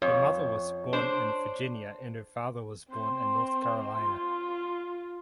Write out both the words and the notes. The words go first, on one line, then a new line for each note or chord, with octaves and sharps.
Her mother was born in Virginia and her father was born in North Carolina.
F2 C#5
D4 C5
C4 C6
F4